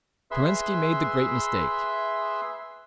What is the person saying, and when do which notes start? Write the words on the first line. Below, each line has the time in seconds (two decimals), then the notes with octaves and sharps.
Kerensky made the great mistake.
0.31 G#4 B4 E5 C6 E6